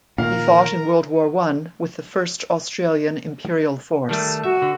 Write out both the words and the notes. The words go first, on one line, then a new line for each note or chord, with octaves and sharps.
He fought in World War One with the First Australian Imperial Force.
A#2 D#3 A#3 C#4 A#4 F5
D#3 G3 A3 A5
F#4 E5
D3